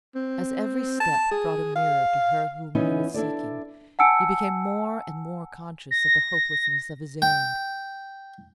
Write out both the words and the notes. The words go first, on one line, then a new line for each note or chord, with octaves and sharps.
As every step brought him nearer to her whom he was seeking, he became more and more conscious of the hopelessness of his errand.
C4
A5
G#4
F5
E3 B3 C#4 D#4 E4
D4 E4 A4 D5
F#5 G#5 A5 E6 C#7 D7
A#6
G5